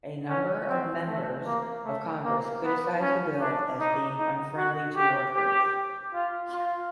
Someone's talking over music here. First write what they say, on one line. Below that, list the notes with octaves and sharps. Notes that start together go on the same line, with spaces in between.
A number of members of Congress criticized the bill as being unfriendly to workers.
C#4
C4
A3
A#3
A3
A#3
B3
C#4
D4
D#4
D#4
F#4
G4
G4
F4
F4